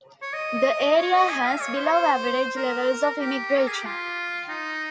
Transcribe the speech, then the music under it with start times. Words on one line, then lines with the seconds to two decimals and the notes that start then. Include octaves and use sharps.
The area has below average levels of immigration.
0.22 C#5
0.33 D#5
0.97 C#5
1.13 D#5
1.29 G#5
1.45 F5
1.61 C#5
1.77 C5
1.87 C#5
1.92 C5
2.57 A#4
3.20 G4
3.58 A#4
3.67 G#4
3.75 G4
3.85 F4
4.49 D#4